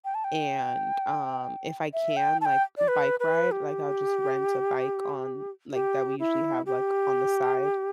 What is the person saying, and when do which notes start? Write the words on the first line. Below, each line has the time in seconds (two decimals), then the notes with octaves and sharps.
and, um, if I can, like, bike ride, like, I'll just rent a bike on, like that we usually have, like, on the side,
0.05 G5
0.15 A5
0.24 G5
1.94 E5
2.17 G5
2.41 A5
2.45 G5
2.78 D5
2.88 B4
3.20 B4
3.52 G4
5.72 G4
6.19 E4
6.66 G4